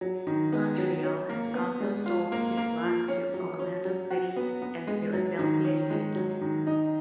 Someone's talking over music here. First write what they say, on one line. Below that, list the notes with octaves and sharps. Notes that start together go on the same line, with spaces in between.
Montreal has also sold two slots to Orlando City and Philadelphia Union.
F#3
D#3
B3
F#3
C#4
A#3
B3
G#3
F4
A#3
A#3
F3
C#4
F#3
C#4
F#3
F#4
B3
B3
G#3
F#3
D#3
C#4
G#3
F#3
D#3
D#4